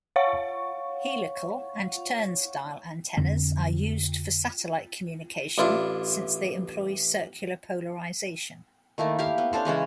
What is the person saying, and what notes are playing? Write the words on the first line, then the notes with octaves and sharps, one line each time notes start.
Helical and turnstile antennas are used for satellite communication since they employ circular polarization.
C#5 F5 F#5 C#6
F2 D3 C4
A1 D4 E4 F4
D#3 A3 A#3 E4
E4 G4 F5
B3
C#4 D4 A4 C5
C#3 E3 G#3 C#4